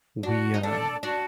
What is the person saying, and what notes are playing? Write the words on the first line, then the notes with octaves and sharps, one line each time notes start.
we, um
D4 F#4
D#4
D4 A4 D5
D4 F#4